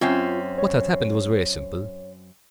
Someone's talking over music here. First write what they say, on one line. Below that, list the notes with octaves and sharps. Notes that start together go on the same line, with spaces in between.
What had happened was very simple.
F#2 C4 C#4 F4
C#5